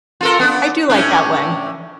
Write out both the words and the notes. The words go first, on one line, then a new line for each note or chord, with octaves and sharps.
I do like that one.
F4 A4 A#4
B3 D4
A2 C#4 D4